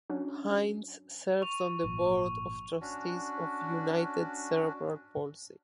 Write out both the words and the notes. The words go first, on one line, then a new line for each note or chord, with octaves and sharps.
Hines serves on the Board of Trustees of United Cerebral Palsy.
F#3 C#4 D4 F#4
C#6 F7
G#1 A#2 F3
C#4 D4 F#4